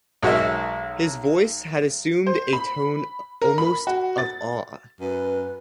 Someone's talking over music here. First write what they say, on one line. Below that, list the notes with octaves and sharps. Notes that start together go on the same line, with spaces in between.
His voice had assumed a tone almost of awe.
B1 G#3 F#4 A#4 D#5 E5
C5
B5
A#4
B5
F#4
A6
F#2 B4